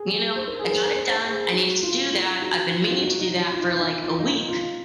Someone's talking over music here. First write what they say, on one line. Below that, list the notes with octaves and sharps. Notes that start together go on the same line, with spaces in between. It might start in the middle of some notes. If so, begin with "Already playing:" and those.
you know, I got it done, I needed to do that, I've been meaning to do that for, like, a week,
Already playing: G#4
C5
A#4
G#4
A#4
A#4
C5
C5
G#4
F#4
F4
F4
F#4
F4
F4
F#4
D#4
D#4
F4
F4
D#4
F4
D#4
F4
D#4
F4